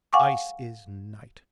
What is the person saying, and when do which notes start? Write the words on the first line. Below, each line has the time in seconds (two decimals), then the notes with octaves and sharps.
Ice is night.
0.13 F5 F#5 G#5 C#6 D6